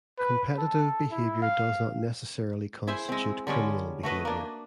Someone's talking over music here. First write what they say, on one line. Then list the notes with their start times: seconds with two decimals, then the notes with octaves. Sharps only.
Competitive behavior does not necessarily constitute criminal behavior.
0.19 B4
0.58 A4
1.11 E4
1.42 F5
2.87 E4 G#4 C5 E5
3.09 G#3 C4
3.47 D3 G3 G#3 C#4
4.03 A3 F#4 B4 D#5
4.25 A#3 D4